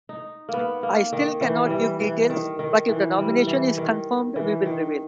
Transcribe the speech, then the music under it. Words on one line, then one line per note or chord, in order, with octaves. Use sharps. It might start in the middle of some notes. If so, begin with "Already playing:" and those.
I still cannot give details, but, if the nomination is confirmed, we will reveal.
D#4
A#3 B3
A#3
D#3
E3
E3 G3
E3
D#3
D#3
E3
G3
E3
D#3
E3
D#3